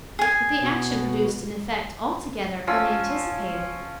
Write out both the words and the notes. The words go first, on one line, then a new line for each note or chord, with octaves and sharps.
But the action produced an effect altogether unanticipated.
G#4 G#5
B2
F3 C#4 E6